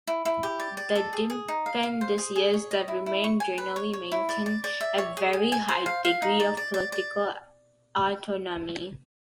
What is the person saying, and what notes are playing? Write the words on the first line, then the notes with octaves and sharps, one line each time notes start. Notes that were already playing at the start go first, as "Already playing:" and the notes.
The dependencies that remain generally maintain a very high degree of political autonomy.
E4
E4
G4
D5
D5
A4
G#4
G#4
D#4
F5
F5
C5
G#4
G#4
C#5
D#5
E4
E4
C#6
G#5
B4
C#5
C#5
E4
D5
D5
D5
E5
C#5
G#4
G#5
G#5
C5
F5
F5
D#4
D5
D5
D5
D5